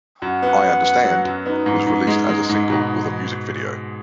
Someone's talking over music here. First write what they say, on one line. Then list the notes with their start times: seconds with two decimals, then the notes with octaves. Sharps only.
"I Understand" was released as a single with a music video.
0.22 F#2 F#5
0.42 B3
0.64 B3
0.84 B3
1.04 F#3
1.25 F#2
1.46 B3 D#4
1.66 G#2
1.87 G#2
2.07 G#3
2.29 G#3
2.49 G#2
2.70 B2